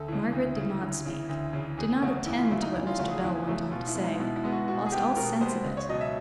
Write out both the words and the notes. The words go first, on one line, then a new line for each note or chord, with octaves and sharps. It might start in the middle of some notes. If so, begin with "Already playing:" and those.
Margaret did not speak; did not attend to what Mr. Bell went on to say; lost all sense of it.
Already playing: D2 A4
C#3 E3
D2
C#3 E3
D2
C#3 E3
D2
C#3 E3
E2 G#4
C#3 F#3 A3 F#4
E2 E4
F4
C#3 F#3 A3 E4
D#4
E2 E4
F4
C#3 F#3 A3 F#4
G#4
E2 E4
C#3 F#3 A3
B2 F4
E4
G#3 B3
D#4
B2 E4
E4
G#3 B3
F#4
B2 F#4
G#4
G#3 B3 G4
B2 A#4
G#3 B3 C5
C#2
C#5
B2 F#3 D#5
E5